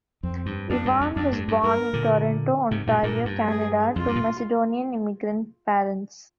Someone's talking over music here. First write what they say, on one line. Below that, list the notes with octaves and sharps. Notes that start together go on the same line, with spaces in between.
Ivan was born in Toronto, Ontario, Canada, to Macedonian immigrant parents.
F2 C4
G2
F2 D4
G2
F2
F2 D4
G2
G2
G2 A#4
A#2 D3
G#2 C3
G2 A#2
G2 A#2 A#4
G2
G#4
F2 F4
G2
A#2